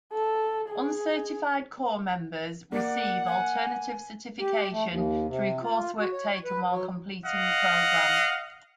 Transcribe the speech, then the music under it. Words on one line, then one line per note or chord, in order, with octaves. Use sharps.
Uncertified corps members receive alternative certification through coursework taken while completing the program.
A4
G#4
A#3 D5 F#5
G#5
G4
A3
D#2
C3
F4
F#4
C#5
B4
F#3
D#5 F5 F#5